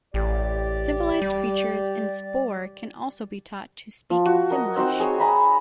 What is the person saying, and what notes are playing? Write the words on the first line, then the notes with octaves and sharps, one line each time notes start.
Civilized Creatures in "Spore" can also be taught to speak Simlish.
A1 G4 D5
G3
F3
F#4
A#4 D#5
C4 D#4 F#4 C5
G#4 C#5 G5
G#5 A#5 B5 E6